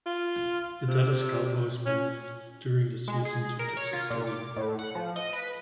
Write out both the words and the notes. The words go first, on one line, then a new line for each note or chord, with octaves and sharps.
The Dallas Cowboys moved during the season to Texas Stadium.
F4
C3
C#4
G#3
G#4
A#4
C#5
F4
A#2
D6
A2
F#5
F3
D#5
B4